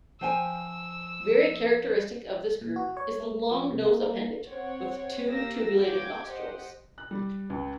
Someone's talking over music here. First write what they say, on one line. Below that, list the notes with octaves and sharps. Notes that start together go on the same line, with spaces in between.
Very characteristic of this group is the long nose appendage with two tubulated nostrils.
F3 G5 G#5 E6
A#2
F#4
C#5
A3
F3
C3
A#3
A#3
C4 C#5 F#5
A#3 G4 F5 E6 A#6
F4 F#4 G5 D6 G#6
G4 C5 D#5 F#5
F#6
G3
C#2